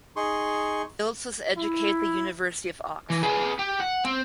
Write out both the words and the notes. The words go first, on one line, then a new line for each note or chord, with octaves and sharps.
Phillips was educated at the University of Oxford.
D#4 G#4 C6 C#6
E4
E3
G#4 B4
G4
F#5
C4